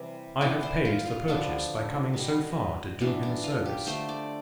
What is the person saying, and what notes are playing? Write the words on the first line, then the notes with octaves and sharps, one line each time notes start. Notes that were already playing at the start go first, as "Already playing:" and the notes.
I have paid the purchase, by coming so far to do him a service.
Already playing: C3 E3 G3
E3 B3 D5
C5
F4
F4
D3 F3 B3 D4
B2 G3 B3
E3 B3 D4
D4
F4
G4
D3 A3 C5
D5